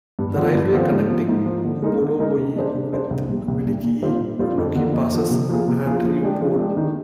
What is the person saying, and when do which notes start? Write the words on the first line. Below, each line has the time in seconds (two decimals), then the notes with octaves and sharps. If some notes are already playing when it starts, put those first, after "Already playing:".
The railway connecting Bologoye with Velikiye Luki passes Andreapol.
0.19 G2
0.36 D3 F3 C4 F4
0.55 G2
0.73 D3 F3 C4 F4
0.92 G#2
1.10 F3 A#3
1.28 G#2
1.46 F3 A#3
1.64 D3
1.83 G#3 D#4 A#4
2.02 D3
2.19 G#3 D#4 A#4
2.38 C3
2.56 G3 D4 G#4 C5
2.74 C3
2.93 G3 D4 G#4 C5
3.10 C2
3.29 A#2 G3
3.48 C2
3.66 A#2 G3
3.84 A#2
4.02 G3 C4 F4 C5
4.20 A#2
4.39 G3 C4 F4 C5
4.58 F2
4.75 D3 F3 A#3
4.93 F2
5.12 D3 F3 A#3
5.30 C3
5.49 F3 A#3 F4 G#4
5.68 C3
5.86 F3 A#3 F4 G#4
6.04 F3
6.22 G#3 D4 G4
6.41 F3
6.59 G#3 D4 G4
6.77 D#3